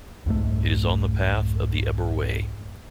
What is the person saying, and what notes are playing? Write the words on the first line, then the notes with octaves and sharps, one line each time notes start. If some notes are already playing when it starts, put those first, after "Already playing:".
It is on the path of the Ebor Way.
C2 F2 G#2 A3